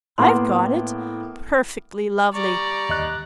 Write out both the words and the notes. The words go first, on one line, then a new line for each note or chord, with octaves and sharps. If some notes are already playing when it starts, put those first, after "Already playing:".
'I've got it! perfectly lovely!
A2 A#3 B3 F#5 C6
G3 D5 A#5 C#6
D#2 D#5 F#6